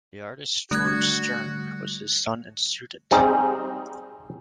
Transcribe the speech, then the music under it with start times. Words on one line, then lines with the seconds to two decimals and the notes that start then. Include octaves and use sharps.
The artist Georg Sturm was his son and student.
0.71 D3 G3 A3 F#4 F#6 G#6
3.11 G3 C4 D#4 G#4